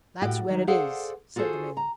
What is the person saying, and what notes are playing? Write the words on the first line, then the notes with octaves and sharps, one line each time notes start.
"That's where it is," said the man.
A2 F#4 G4
D#3 F#3 G3
G#4 A4 C5 D5 F5 F#5
F4 F#4 G#4 A4 C5
A#5